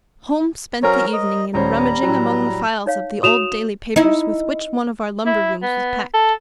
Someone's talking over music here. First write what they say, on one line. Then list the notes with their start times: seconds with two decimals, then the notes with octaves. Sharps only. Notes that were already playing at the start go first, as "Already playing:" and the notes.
Holmes spent the evening in rummaging among the files of the old daily papers with which one of our lumber-rooms was packed.
0.83 F#3 C#4 A#4 C5 C#5 A#5
1.13 D#5
1.54 D#1 G3 C#4 C5 A#5
2.03 A2 F#3
2.86 D#4 C#5 F5
3.23 F#4 C#5 D#6 E7 F7
3.96 D#4 E4
5.26 E4
5.63 B3
6.14 A4